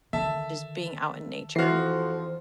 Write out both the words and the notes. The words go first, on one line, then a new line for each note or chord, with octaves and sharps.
just being out in nature.
D3 D#3 E5 A5
F2 E3 F3 F#4 F6 C7